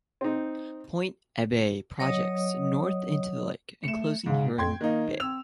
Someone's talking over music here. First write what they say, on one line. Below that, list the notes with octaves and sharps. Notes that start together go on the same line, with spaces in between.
Point Abbaye projects north into the lake, enclosing Huron Bay.
C4 D#4
F#3 C#5 D#5 D#6
A3 C#7 E7
G#2 C#3
F2 G5 C6 G#6
D#3 A#3 D#4
C4 E6 F7